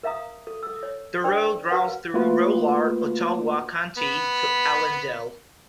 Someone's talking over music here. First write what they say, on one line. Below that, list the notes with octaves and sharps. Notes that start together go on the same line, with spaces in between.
The road runs through rural Ottawa County to Allendale.
A#4 E5 F5 A#5 D#6
A4
A4 E6
C#5
D4 A#4 C5 D5 G5 E6
F#4 A#4 B4 F5 F#5
A3 A#3 F4 F#4 B4
B3 B5